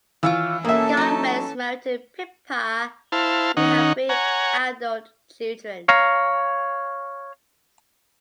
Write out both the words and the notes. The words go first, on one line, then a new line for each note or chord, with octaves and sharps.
Gumbel is married to Pippa and they have three adult children.
D#3 E3 F4 C#5 F5 E6
B2 A#3 C#4 A4 E5 A5
F#3 D#4
E4 C5 F5 A5
D#3 C#4 D#4 F#5
C#5 F#5 G#5 A#5
C#5 F5 A#5